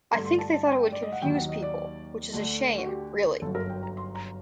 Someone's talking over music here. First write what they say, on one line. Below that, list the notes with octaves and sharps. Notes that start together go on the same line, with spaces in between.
I think they thought it would confuse people, which is a shame, really.
G2 D3 A3 C6
C6
A5
A5
G5
D5
D#5
F#5
D#2 D#3 F#3 A#3 G5
F#5
D#5
D5
D2 D3 A3
F#4
G4
G1 F#2 F#3 A4
A#4
G5
A#5
C6
A#5